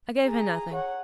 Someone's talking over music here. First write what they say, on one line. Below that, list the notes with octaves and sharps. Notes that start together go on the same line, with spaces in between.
'I gave her nothing.
G#4 A#5
C#5 F#5